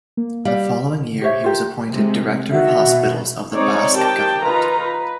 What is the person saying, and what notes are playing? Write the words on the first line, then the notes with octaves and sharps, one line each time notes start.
The following year he was appointed Director of hospitals of the Basque Government.
A#3
G3 D5 F5
G4 C5 C#5 E5
F4 G4 A#4
C3 G#3
D#3 F#4 E5 F#5
B2
G#3 C4 D#4 C#5 D5
D#3 G4 G5 A5
D#4 F4 B4 A#5
B4